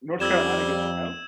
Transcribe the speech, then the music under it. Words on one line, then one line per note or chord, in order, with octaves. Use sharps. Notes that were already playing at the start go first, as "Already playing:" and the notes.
North Carolina gets snow?
F2 G3 E6 G#6 E7